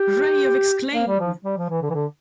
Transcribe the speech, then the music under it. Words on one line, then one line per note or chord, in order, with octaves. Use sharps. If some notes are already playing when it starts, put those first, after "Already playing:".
Gray of Exclaim!
Already playing: G4
A#3
G3
F3
G3
F3
E3
D3
E3
D3